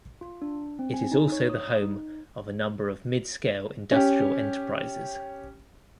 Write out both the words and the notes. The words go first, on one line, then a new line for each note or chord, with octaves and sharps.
It is also the home of a number of mid-scale industrial enterprises.
F4
D4
C4
G#5
D#4
C#5
D#6
D#4
C#4 G4